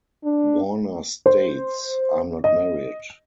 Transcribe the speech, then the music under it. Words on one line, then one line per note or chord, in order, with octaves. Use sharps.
Warner states, I'm not married.
D4
C5
D#5